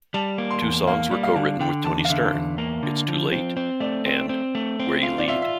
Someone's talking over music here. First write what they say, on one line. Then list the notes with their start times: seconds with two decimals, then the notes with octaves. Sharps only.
Two songs were co-written with Toni Stern: "It's Too Late" and "Where You Lead".
0.14 G3 A5
0.38 A#3
0.51 C6
0.62 E2
0.87 A#3 F5
1.11 G3
1.23 F5
1.36 D3
1.60 D3 G5
1.84 E2 A5
2.05 F5
2.10 D3 E5
2.35 E2
2.58 A#3
2.83 D3
3.08 F3
3.32 C4
3.57 C4
3.80 A3 D5
4.06 C4
4.29 C4
4.55 A3
4.80 C4
5.03 F4
5.18 D5
5.28 F4 E5
5.42 E5